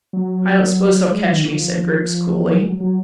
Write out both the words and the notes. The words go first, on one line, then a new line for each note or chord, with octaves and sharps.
"I don't suppose they'll catch me," said Griggs coolly.
F#3
G#3
F#3
D#3
D3
F3
F#3
G#3
F#3
F#3